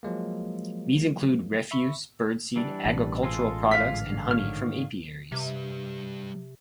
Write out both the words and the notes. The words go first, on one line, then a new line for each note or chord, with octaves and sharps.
These include refuse, birdseed, agricultural products and honey from apiaries.
F3 F#3 G#3 A#3
E5 B5 C#6
E3 G3 D4
A1 B2
G#3 F4 A4
G#2 D3 F5 B6
D#3 C#5 F6
C3 G3 B4